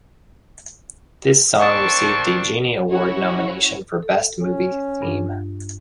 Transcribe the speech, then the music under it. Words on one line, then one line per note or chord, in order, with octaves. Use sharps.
This song received a Genie Award nomination for Best Movie Theme.
A#3 C4 D4 A5 C#6
C#4 E4 F#4 C#5
A4
C#4
G2 D4 F4